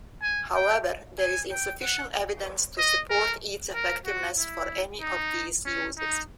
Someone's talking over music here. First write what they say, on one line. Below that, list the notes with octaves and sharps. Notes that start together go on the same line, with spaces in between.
However, there is insufficient evidence to support its effectiveness for any of these uses.
G#5
G5
G#5
G5
F#5
D#5
A#4
A#4
F#4
E4
D#4
C#4
D#4